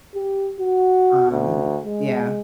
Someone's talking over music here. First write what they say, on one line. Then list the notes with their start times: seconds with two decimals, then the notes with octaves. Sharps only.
um, yeah.
0.15 G4
0.60 F#4
1.31 D2
1.85 G#3